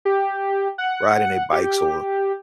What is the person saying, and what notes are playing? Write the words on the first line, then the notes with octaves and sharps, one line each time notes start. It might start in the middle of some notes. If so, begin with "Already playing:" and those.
riding their bikes or,
G4
F#5
G4